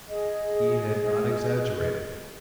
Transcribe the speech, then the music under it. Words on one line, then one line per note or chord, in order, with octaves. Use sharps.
He had not exaggerated.
G#4 D#5